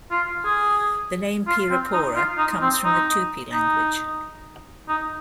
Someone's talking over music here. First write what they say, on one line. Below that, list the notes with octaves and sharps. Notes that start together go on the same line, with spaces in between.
The name "Pirapora" comes from the Tupi language.
F4
G#4
F4
C4
D#4
F4
D#4
C4
D#4
D#4
D#4